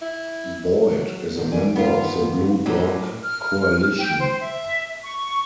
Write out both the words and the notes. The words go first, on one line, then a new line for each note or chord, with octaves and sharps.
Boyd is a member of the Blue Dog Coalition.
E4
F#3
D#2 G#2
D5 G#5
G2 B3 F4
A2 F#3 G3
F6
G5
C5
E5
C#6